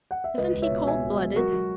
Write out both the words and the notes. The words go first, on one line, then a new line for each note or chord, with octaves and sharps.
Isn't he cold-blooded?
F#5
E5
C#2 B4 D#5
C#2
C#5 E5
B2
B2 E5 G#5
B2
G#3
F#3 F#4 A#4
F#3